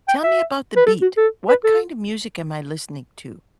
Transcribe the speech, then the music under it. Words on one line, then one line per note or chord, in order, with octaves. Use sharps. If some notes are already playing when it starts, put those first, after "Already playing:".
Tell me about the beat. What kind of music am I listening to?
G5
E5
B4
A4
F#4
A4
B4
A4